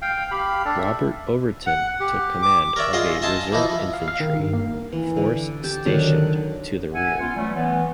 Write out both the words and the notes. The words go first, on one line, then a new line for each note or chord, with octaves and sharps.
Robert Overton took command of a reserve infantry force stationed to the rear.
F5 G5
G4 F5 B5
D4 A4
E5
F#5
G4
D6
A#4 C#5 D5 E5
F4 G#4 D#5 C6
D#5 E5 G#5 A5 C6
E3 F3 D#4 E4
F5
F5
D#3
G2
A#3
E3
D3
G4 A5
D3 D#3 F#3 F#5
E5 F#5 G#5
B3 C#4 F4
E3 F#3 G3 A3
E3 B3